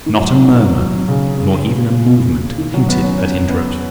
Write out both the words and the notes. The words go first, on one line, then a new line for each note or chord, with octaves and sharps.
Not a murmur nor even a movement hinted at interruption.
D#3
F#3
F#3
D#3
F#3
C#3
C#3
D#3
F#3
B3
C#4
C#4
B3